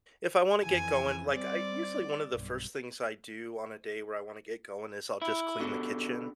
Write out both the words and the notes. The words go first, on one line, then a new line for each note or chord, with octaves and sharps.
if I wanna get going, like, I usually, one of the first things I do on a day where I wanna get going is I'll just clean the kitchen,
F2 E3 G#5
G3 C4 D5
B1 G2
E4
B2 D3